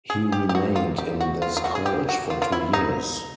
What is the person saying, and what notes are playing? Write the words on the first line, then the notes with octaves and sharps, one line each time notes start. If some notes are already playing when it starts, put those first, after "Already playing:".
He remained in this college for two years.
G#4
G4
G4
F#4
F4
G4
F#4
F4
F4
F#4
G#4
G4
F#4
F4
F4
E4
D#4